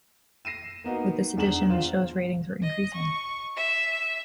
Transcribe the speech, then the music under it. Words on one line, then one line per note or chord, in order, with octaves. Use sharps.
With this addition, the show's ratings were increasing.
A#6 C7 D#7 E7
A#3 B3 D#4 F#4
E2 D4 G#4 A#5 E7 F#7
F4 C5
D#5
C#6
E5